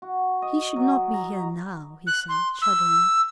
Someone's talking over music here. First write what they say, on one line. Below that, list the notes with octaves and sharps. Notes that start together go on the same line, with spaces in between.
"He should not be here now," he said, shuddering.
F#4
D#5
F#3
A#5
F#6
C6
E6